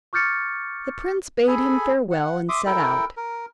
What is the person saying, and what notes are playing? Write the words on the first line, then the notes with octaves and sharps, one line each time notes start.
The prince bade him farewell and set out.
C#6 D6 F6 G6 A6 C#7
G#4 A4 G#5 B5
F#5
E5 C6 D6 D#6
E4 A4 A#4 G5
A#4